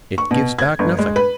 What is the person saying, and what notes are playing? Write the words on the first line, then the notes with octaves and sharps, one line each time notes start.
It gives back nothing.
C#6
B2
G#6
G1
G#3
B4